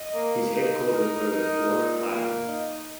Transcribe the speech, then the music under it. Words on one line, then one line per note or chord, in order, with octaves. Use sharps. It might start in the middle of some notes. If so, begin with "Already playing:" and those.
His headquarters were at Fort Plain.
Already playing: D#5
A#3
D#4
A#4
D#4
A#2
A#3
D#4